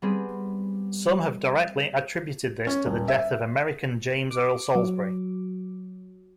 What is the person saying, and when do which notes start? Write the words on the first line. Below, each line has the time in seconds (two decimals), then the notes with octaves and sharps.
Some have directly attributed this to the death of American James Earl Salisbury.
0.02 G3 B3 C4 G#4
2.67 C#4
2.86 D#1
3.08 E5
4.31 D6
4.75 F#3